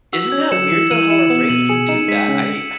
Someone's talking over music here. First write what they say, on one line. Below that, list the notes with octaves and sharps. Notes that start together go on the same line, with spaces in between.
isn't that weird, though, how our brains can do that, I
F#4 E6
C#4 G#6
F#3 C#7 E7
E3 C#7 E7
E3 D#7 F#7
E4 C#7 E7
B3 C#7 E7
B2 D#7 F#7
G#4 C#7 E7
D#4 C#7 E7
G#3 B6 D#7
C#3 B6